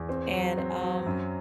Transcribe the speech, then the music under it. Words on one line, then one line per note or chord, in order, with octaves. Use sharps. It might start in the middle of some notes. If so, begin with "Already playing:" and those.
And, um,
Already playing: E2
C4
F#3
C4
F#3
F#2